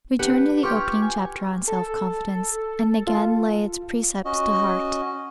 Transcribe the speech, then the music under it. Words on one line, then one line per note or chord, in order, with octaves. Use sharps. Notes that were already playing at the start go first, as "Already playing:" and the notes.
Return to the opening chapter, on self-confidence, and again lay its precepts to heart.
D4 G4 B4 F#5
F4 G4 C#5 C#6 D6 F6
G#5
A4
F4
C#4 F#4 D#5